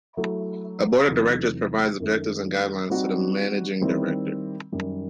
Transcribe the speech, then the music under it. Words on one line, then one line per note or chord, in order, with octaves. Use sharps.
A Board of Directors provides objectives and guidelines to the Managing Director.
F#3 A3 E4
E2 C3 F#3 A3 D#4
F#2 D#3 A3
G3 C4 D#4 F#4
D#3 G3 C4 E4
F#2 D#3 G3